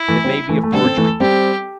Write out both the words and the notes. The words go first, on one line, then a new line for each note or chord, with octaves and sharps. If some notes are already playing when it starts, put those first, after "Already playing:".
It may be a forgery.
Already playing: E4
E3 A3
G3 C4
E3 A3
A3
D3 G3 A4
C4
E3 A3
G3 C4 G4